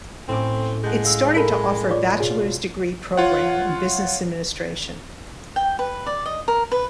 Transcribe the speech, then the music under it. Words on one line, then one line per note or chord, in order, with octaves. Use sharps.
It started to offer bachelor's degree programme in Business Administration.
A2 C4 C#4 D6
G#3 F#5 A5 G6
F5 E6
A4 A#4 B5
F4 C#5 D5
B2 F4 G#4
F4 C#5 F#5
G5
B4
D5
D#5
A#4
B4